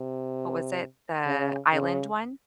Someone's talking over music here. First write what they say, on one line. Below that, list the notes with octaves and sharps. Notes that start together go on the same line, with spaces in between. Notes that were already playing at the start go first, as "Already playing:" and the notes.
what was it, the island one?
Already playing: C3
C#3
C#3